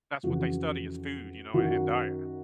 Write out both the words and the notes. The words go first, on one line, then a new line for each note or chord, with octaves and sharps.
that's what they study is food, you know, and, and diet.
F2 C#3 E3 F#4
F#2 D#3 F#4